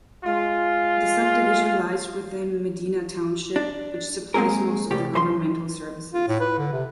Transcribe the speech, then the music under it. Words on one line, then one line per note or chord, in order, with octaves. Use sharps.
The subdivision lies within Medina Township, which supplies most of the governmental services.
G#3 F4
D4
G#3 A#3 C4 G#4 A#4
C2 A2 G3 G4
F#2 C5 C6
F4
A2
B4
D3
C3